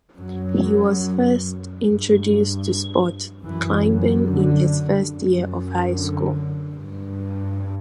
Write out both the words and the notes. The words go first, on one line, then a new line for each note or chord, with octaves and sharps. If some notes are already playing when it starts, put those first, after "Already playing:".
He was first introduced to sport climbing in his first year of high school.
F#2 F#3
G2
F#2 E3
D3
F#2
D3
G2